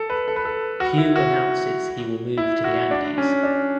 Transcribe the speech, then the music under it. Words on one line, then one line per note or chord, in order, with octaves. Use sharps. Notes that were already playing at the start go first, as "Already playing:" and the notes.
Huw announces he will move to the Andes.
Already playing: A4
B4
A4
B4
A4
F#4
E4
F#4
E4
F#4
D4
C#4
D4